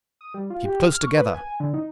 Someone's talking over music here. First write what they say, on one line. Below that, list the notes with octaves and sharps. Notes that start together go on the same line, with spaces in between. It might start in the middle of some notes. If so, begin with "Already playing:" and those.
Keep close together.'
D#6
G3
F4
G4
F6
C#6
B4
G#5
G#5
D3
D#4